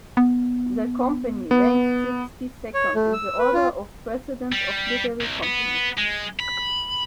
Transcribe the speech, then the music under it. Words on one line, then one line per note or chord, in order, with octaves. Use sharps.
The Company ranks sixty-second in the order of precedence of Livery Companies.
B3
B3
C#5
A3
E6
B4
F4
G3
C2
B3
G#3
B5